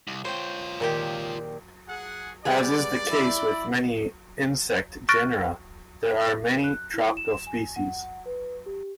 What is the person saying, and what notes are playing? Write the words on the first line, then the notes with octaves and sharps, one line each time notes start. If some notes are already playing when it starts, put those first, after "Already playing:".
As is the case with many insect genera, there are many tropical species.
C2
F4 C5 C#5 G5
A#2 D#3 G4
G#4 F#5
G3 B3 G#4 D5
E4
C#6 F6 F#6 A6 A#6 D7
A#4
F#6
E4
E7
G#5
F#5
B4
G4